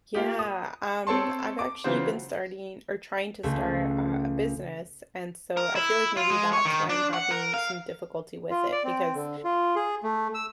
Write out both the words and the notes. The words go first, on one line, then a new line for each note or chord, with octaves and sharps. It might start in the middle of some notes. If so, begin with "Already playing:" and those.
Yeah. Um, I've actually been starting or trying to start, uh, a business, and, so I feel like maybe that's why I'm having some difficulty with it, because
A#3 F4 G4
D#6
C4 A4 C#5 A5 C6
D6
C#3 E3 F#3 F4 C5
C#2 A3
A#4
E4
F4
G#3
C#5
D#3
D4
F#5
A#4
F5
F4
D5
C4
D3
F4
G#4
A3
E6